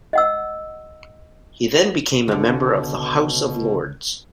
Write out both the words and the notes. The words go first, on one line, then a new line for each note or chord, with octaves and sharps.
He then became a member of the House of Lords.
D#5 F#5 E6
C#2 B2 D3